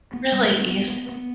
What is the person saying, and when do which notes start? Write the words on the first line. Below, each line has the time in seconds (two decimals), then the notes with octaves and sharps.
Really easy
0.13 B3
0.32 G3
0.52 B3
0.71 B3
0.90 B3
1.09 B3